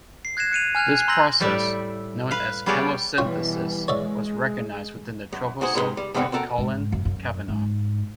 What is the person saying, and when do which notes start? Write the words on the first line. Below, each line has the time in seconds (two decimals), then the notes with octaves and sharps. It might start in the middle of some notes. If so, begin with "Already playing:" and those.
This process, known as chemosynthesis, was recognized within the trophosome by Colleen Cavanaugh.
0.25 C7
0.37 F#6 G#6 A#6 C7 E7
0.52 F#6 C#7 D#7 F7
0.75 G#5 F6 F#6 G#6 F7
0.96 F#6 C7
1.08 A#5 C6 E6 G6 A#6 F#7
1.40 A2 G3 E4 D5 E5
2.31 B4 F5
2.66 G3 B3 F4 G#4 C#5 D5
3.18 B2 E3 G3 F4 C#5 G5
3.88 G#3 C#5 D5 E5
5.33 F#2
5.61 G#2 F#4 G#4 C5
5.74 G#2 C3 G#3 A#4 B4 C6
5.97 G3
6.14 B2 D3 G3 C4 D#4 F#4
6.32 C4 F#4 A4 A#4
6.58 G#2
6.92 F#2
7.05 F#2
7.48 G#2